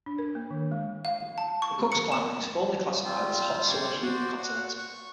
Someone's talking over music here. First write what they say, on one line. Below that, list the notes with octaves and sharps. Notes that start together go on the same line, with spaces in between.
McCook's climate is formally classified as hot-summer humid continental.
D4
A#4
A#3
D#3
G#3
F5
A5
C#6
C#7
E7
G3 C4 F4
C5 D5 G#5 C#6
F#4 C5 D5
F#4 F#5
C#6